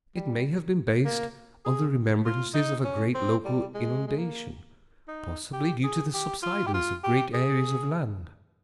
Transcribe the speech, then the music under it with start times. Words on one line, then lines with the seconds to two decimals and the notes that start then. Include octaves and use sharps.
It may have been based on the remembrances of a great local inundation, possibly due to the subsidence of great areas of land.
0.15 G3
1.05 A#3
1.65 G#4
2.25 F4
2.54 D#4
2.84 C#4
3.15 C4
3.45 G3
3.74 G#3
4.07 G#3
4.18 A#3
5.08 D#4
5.53 G4
5.84 G#4
6.14 G4
6.43 F4
6.66 G4
6.74 F4
7.04 G4
7.34 G#4